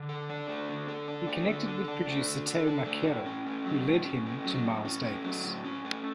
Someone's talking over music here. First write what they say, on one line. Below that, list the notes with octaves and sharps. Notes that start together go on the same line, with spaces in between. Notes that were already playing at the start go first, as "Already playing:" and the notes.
He connected with producer Teo Macero, who led him to Miles Davis.
Already playing: D3
A4
D4
A3
D3
A4
D4
A3
D3
A4
D4
A3
D3
A4
D4
A3
A2
C#4
A3
F#3
A2
C#4
A3
F#3
A2
C#4
A3
F#3
A2
C#4
A3